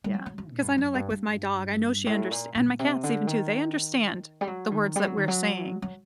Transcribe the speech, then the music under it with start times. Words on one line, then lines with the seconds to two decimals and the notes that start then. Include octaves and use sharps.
yeah, 'cause I know, like, my dog, I know she underst and my cats even, too, they understand the words that we're saying,
0.04 G3
0.14 F#3
0.26 F#3
0.38 F#3
0.50 A#2
0.62 G2
0.78 F#2
0.94 G2
1.10 G2
2.06 A2
2.31 A#2
2.55 A#2
2.68 A#2
2.79 C3
3.03 D3
3.27 D#3
4.41 G3
4.47 F#3
4.71 D#3
4.96 G3
5.07 F#3
5.17 D#3
5.28 F#3
5.82 F#3